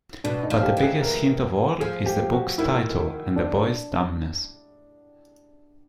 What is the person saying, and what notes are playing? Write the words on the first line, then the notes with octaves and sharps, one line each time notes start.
But the biggest hint of all is the book's title and the boy's dumbness.
B2 D4
D#4
F3
G4
E3
G#4
A#4
F3 G#4
G4
F#4
D#3 E4
D4